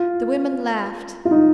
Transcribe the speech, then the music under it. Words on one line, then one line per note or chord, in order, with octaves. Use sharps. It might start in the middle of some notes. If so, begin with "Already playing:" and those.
The women laughed.
Already playing: F4
F4
D#4